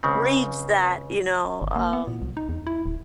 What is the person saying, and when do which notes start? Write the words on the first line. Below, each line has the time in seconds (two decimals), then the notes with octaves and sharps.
Reads that, you know, um
0.03 C#2 C#3 C4
1.62 G1
1.76 A#3
1.93 B3
2.07 A#2
2.22 C2
2.37 D#4
2.49 E2
2.67 E4
2.86 D1